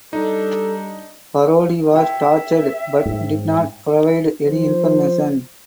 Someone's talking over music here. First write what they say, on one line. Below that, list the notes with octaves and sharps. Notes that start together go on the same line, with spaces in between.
Parodi was tortured but did not provide any information.
G3 D4 D#4 A4
C#5 E5 G5
G#2
F3 C5